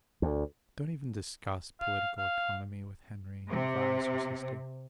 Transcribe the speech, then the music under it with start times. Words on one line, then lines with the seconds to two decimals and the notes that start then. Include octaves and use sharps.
"Don't even discuss political economy with Henry," advised her sister.
0.22 D2
1.81 F5
2.18 F5
3.50 C3